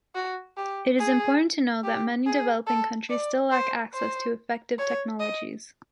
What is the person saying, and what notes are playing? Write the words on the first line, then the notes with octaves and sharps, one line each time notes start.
It is important to note that many developing countries still lack access to effective technologies.
F#4
G4
G#4
G4
G#4
A4
D5
C5
C5
C#5
D#5